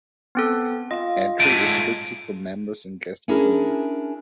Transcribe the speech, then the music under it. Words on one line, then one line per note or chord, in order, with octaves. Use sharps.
Entry is strictly for members and guests only.
B3 C4 A4
F4 D#5
G#2 A3 D7 D#7
C#4 D4 E4 G#4 A#4